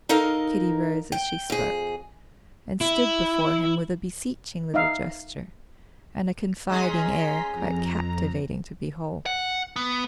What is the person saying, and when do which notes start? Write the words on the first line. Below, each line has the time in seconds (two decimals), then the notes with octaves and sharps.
Kitty rose as she spoke, and stood before him with a beseeching little gesture, and a confiding air quite captivating to behold.
0.09 D#4 A4 A#4 D#5 F5
1.12 G5
1.50 F2 G#4
2.81 E4
4.74 D#4 E5 F5
6.69 G#3 C#4 G#4 A#5 C6 B6
7.51 F2 A#5
9.26 F#5
9.76 B3